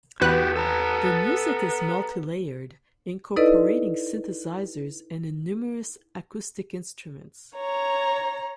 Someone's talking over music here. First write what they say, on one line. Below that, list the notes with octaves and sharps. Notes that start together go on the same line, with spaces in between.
The music is multi-layered, incorporating synthesizers and a numerous acoustic instruments.
E2 B3 F#4 G4 B4 F#6
A4 A5 A#5
D#4 E4 A4 B4 D5 D#5
C#5 A#5